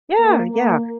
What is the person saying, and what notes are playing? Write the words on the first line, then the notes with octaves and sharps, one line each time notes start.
Yeah, yeah,
A#3
A#3